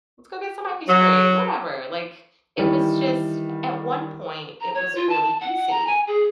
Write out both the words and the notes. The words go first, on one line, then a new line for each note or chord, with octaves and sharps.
"Let's go get some ice cream," whatever, like, it was just at one point, it was really easy,
F#3
D#3 E3 G3
A#5
C#5
F4
A5
F#5
F#5
A#5
G#5
G#4